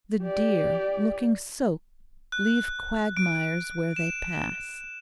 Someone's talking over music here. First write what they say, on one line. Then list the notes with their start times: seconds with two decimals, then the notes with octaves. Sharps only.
The deer, looking soaked, leave quagmires where they pass.
0.23 G4 D5
2.32 F#6
3.17 D7
3.96 E7